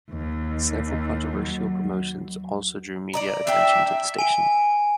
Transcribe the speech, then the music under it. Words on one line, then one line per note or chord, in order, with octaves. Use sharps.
Several controversial promotions also drew media attention to the station.
D#2
F#3
D5 D#5 A#5
D4 G4 E5 G5
G#5 D7